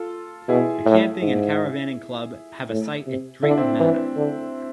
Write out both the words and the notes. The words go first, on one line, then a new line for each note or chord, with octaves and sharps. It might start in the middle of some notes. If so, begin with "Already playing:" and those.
The Camping and cravanning club have a site at Drayton Manor.
Already playing: F4 A4
B2 E4 G#4
A2
G#2
A2
C3
D3 E4
D4
C4 E4
E3
D3